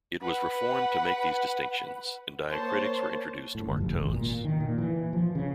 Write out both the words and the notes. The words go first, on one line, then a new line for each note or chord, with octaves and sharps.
It was reformed to make these distinctions, and diacritics were introduced to mark tones.
B4 F#5
A#3 C5 C#5 A5
A2
G1
F1
G#1
A#2
D#3
A#2
E3
F3
C#3